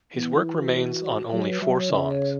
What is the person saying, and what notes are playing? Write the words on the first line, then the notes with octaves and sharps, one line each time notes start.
His work remains on only four songs.
E3 B3
E4
F#4
F#3 G#4
B4
F#3 E5
C#5
C#3 E5
C#5